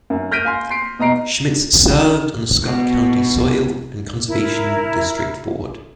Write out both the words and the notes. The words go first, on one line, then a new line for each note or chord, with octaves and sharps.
Schmitz served on the Scott County Soil and Conservation District Board.
F#2
F6 G6 A#6 B6 D7 D#7
F5 G#5 C6
C6 B6 C7 D7
B2 D#5 A#5 C7 D7
B2
E4 A#4